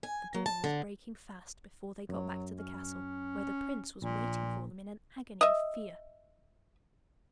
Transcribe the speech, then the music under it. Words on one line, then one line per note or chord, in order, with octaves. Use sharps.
The dawn was breaking fast before they got back to the castle, where the prince was waiting for them in an agony of fear.
G#5
F#3
A5
D3
F#2 F#3
C#4
A#1 A#2
D#5 E5